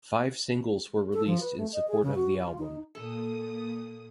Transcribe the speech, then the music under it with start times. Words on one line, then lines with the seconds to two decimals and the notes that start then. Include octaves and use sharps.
Five singles were released in support of the album.
1.13 A4
1.26 F3
1.40 B4
1.57 A3
1.73 D#5
1.88 G#4
2.02 C#3
2.15 F#4
2.40 F4
2.58 D#4
2.95 A#2 A4 D#6